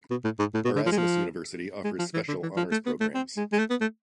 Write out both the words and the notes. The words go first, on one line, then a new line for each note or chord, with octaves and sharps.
Erasmus University offers special honours programmes.
B2
A2
G#2
A2
B2
D3
F3
G#3
F3
G#3
F3
E3
D3
E3
F3
A3
B3
A3
C4
G#3
G#3
A3
B3
A3